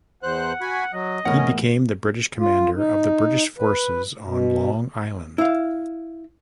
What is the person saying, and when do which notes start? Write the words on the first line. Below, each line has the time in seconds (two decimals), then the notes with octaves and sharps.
He became the British commander of the British forces on Long Island.
0.23 E2 C5 F#5 F#6
0.61 F#4 G#5 B5
0.93 F#3 D#5
1.25 E2 A2 C#4 A#4 F#5
2.39 F4
2.76 D#4
3.58 B4
4.24 B2
5.38 E4 F5